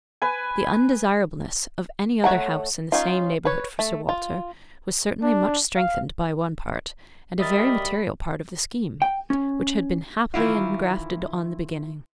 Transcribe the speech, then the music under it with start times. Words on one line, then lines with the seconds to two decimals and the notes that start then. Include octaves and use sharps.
The undesirableness of any other house in the same neighbourhood for Sir Walter was certainly much strengthened by one part, and a very material part of the scheme, which had been happily engrafted on the beginning.
0.22 B4 G#5
2.24 A3 C#5 F#5 A#5
2.92 C#4 D#4 F4
3.45 B4 C#5
3.79 A3
4.09 F4
5.22 D4
5.76 F5
7.40 F#2 G3 A#4 D#5 E5 B5 D#6 A6
9.02 G5
9.30 C#4
10.34 D#3 E3 E4 F4